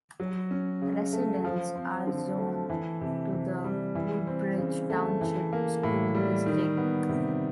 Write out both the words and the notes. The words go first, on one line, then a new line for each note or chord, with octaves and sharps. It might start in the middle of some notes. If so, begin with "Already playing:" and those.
Residents are zoned to the Woodbridge Township School District.
F#3
C#4
C#3
A3
F3
C4
D3
A3
E3
C3
C3
G3
E3
C4
C#3
A3
E3
A#3
A2
G3
D#3
B3
C3